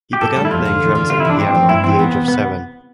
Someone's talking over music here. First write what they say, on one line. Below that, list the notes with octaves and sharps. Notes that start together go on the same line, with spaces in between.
He began playing drums and piano at the age of seven.
G4
A2 A4
G3
E4
F2 F4
D3
E2
D3
C3 F4
E4
E3 D4
A2 C4
F3
G2 E4
E3 C4
E2 B3
C3
B3